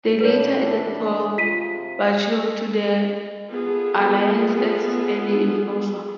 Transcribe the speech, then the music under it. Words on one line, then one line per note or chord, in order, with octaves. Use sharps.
They later added Paul Burchill to the alliance as an enforcer.
E3 A3 D4 B4 C#5
C3 F3 F4 B6 D#7
B3 F4 G#4 A4